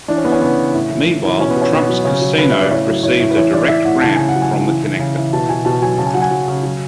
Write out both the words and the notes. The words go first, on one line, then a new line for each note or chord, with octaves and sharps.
Meanwhile, Trump's casino received a direct ramp from the connector.
E3 D4
C#4
E3 B3
C#4
C#3 B3
C#3
A2
E3
E3
E3
B2 C#4
B3
B2
C#4
B2 B3
F#3
C#3 C#4
F#3
C#3 B4
C#3 E5
D5
A2 C#5
F#3
A2 C#5
A2
B4
E3 C#5
E3 D5
E3 E5
A2 F#5
C#3 A5
C#3 G#5
F#5
F#3
G#5
C#3
E3
E3
C#3
E3
B2 A5
B2 G#5
B2 A5
F#3 G#5
C#3 A5
G#5
F#3 F#5
G#5
F#3
C#3
F#3